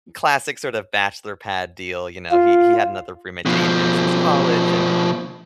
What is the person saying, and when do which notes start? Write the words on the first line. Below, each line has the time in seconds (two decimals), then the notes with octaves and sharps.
classic sort of bachelor pad deal, you know, he he had another roommate that he had known since college, and
2.31 F4
3.46 B2 F3